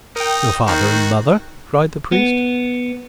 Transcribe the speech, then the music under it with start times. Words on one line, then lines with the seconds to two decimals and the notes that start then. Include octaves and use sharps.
"Your father and mother?" cried the priest.
0.16 D#4 A#4 G5 D#6
0.67 D#3 F#4 C5
2.12 B3